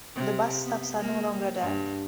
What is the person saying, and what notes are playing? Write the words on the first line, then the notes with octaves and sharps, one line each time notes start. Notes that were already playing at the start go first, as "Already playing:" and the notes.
The bus stops are no longer there.
C3
B3
A#3
G2